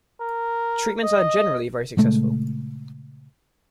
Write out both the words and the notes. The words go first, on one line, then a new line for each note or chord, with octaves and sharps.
Treatments are generally very successful.
A#4
D#5
A#2 C#3 G#3 A3